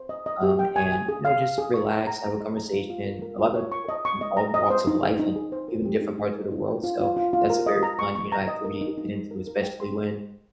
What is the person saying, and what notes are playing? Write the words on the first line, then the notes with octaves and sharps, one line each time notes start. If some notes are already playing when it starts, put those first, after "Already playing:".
um, and, you know, just relax, have a conversation, a lotta the people are from all walks of life and even different parts of the world, so that's a very fun, you know, activity to get into, especially when,
Already playing: C5
D#5
D#5
G4
G5
G#5
G#5
G#4
F5
F5
G#4
C#6
A#5
A#5
A#5
D#5
A#5
F4
F4
A#4
A#4
F4
C#5
C#6
D#5
C#6
D#5
A#5
D#5
C5
D#4
G#4
D#4
G#4
C5
A#4
G4
D#4
D#4
A#4
D#4
G5
F4
F4
F4
F4
A#4
D#5
A#5
C#6
C#6
A#5
D#5
A#4
D#4
D#4
D#4
A#4
A#4
G5
C6